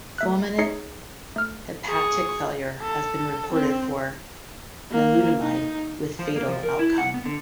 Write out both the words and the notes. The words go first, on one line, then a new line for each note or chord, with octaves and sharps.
Fulminant hepatic failure has been reported for nilutamide, with fatal outcome.
A3 E5 F#6
D#4 G#4 C#5 D#5 C7 C#7
A3 F6
G#4 C#6
A4
C4
A#3
D#4
F3
A#3
F3
A#4
E4
F#5
B3
D3